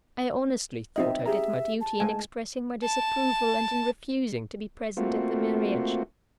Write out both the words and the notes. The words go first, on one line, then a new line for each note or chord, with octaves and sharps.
I honestly thought I did my duty in expressing my disapproval, and in refusing to be present at the marriage.
C4 D#4 D#5 E5
G4 G#4 E5 A#5
A5
G#3 A3 G#5
A5
A3 A#3 C4 F4 F#4